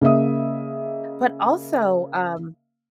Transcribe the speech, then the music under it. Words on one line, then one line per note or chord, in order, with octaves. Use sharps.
But also, um
C#3 A#3 D#5 E5 D#6